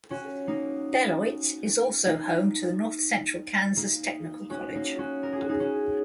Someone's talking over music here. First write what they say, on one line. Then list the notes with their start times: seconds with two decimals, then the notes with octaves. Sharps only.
Beloit is also home to the North Central Kansas Technical College.
0.10 C#4 F#4
0.47 A#3 D#4
2.06 A#3 D#4
3.76 A#3 D#4
4.50 C#4 F#4
4.75 A#3 D#4
4.98 C#4 F#4
5.23 A#4
5.33 G#4
5.41 F#4
5.49 D#4 G#4
5.60 C#4 F#4